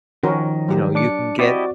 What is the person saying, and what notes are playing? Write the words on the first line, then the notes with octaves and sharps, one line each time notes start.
you know, you can get
D#3 F3 C#4 F#4 A#4
F#3 G4
D4 D6 C#7
C4 E4 F#4 G4 D5 D#5 D6